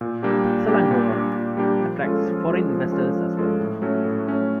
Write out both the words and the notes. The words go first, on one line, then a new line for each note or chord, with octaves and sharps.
Selangor attracts foreign investors as well.
A#2
G3 A#3 D4 G4
A#2
G3 A#3 D4 G4
A#2
G3 A#3 D4 G4
A#2
G3 A#3 D4 G4
F3
G#3 C#4 F4 A4
F3
G#3 C#4 F4 A4
F3
G#3 C#4 F4 A4
F3
G#3 C#4 F4 A4
A2
F#3 A3 C#4
A2
F#3 A3 C#4